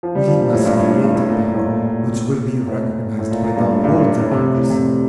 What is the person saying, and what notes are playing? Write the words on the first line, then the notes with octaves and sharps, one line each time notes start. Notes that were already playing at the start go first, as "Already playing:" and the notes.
We must create a power which will be recognised by the whole democracy.
F3
G3
F3
A#2
A2
G2
A2
A2
G2
A2
A#2
A#2
A2
A#2
A2
A2
A#2
A#2
G2
A2
G2
A2
A2
C3
A2
A2
C3